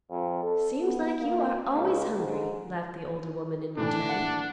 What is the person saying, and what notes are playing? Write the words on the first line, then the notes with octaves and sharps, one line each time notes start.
"Seems like you are always hungry," laughed the older woman, in return.
F2
A4
B3
A#3
C#2
G#2
A2 E3 D4
F#5